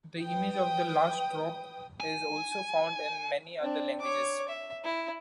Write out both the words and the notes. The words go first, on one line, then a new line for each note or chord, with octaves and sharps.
The image of the last drop is also found in many other languages.
B4 G5 D#6
G#5
C4 D4
C#5 D6
E5
E4